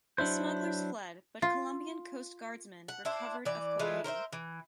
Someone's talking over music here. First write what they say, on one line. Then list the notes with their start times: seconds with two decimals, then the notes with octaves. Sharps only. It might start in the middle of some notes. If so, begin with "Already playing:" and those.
The smugglers fled, but Colombian Coast Guardsmen recovered of cocaine.
0.18 F#3 D4 E4 C5
1.42 F4
2.88 F#5
3.05 D4 E4 C5
3.45 E3 D5
3.79 E3 G#3 A3 F4
4.04 A#4 C5 C#5 E5
4.33 E3